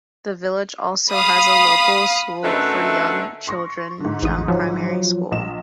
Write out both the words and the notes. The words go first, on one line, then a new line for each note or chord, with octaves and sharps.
The village also has a local school for young children, Jump Primary School.
F5 B5 D#6
F#2 D3 A3 D#4 B4 E5
C6 C#6 A#6
G#2 D3
A1 E2 D#6
F3 F#3
A#1 D#5 E7